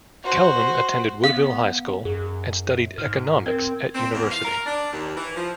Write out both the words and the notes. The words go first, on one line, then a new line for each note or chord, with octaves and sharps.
Kelvin attended Woodville High School and studied economics at university.
F#4 C5
B3 F5
F#2 G#4
G#2 F6
C4 A#4 G#6
C4
E2
F5
A#4
D4
D#2
E3
F3